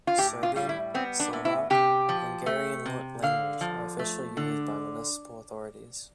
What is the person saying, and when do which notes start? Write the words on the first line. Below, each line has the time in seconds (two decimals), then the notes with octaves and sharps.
Serbian, Slovak and Hungarian language are officially used by municipal authorities.
0.07 F4
0.18 A2 G4
0.43 F4
0.56 G3 F4
0.69 E4
0.94 B3 C4
1.20 D4
1.33 A2
1.45 E4
1.70 C3 G4
2.09 F3
2.46 A3
2.86 C3
3.23 D3 F5
3.61 F3
3.99 A3
4.37 D3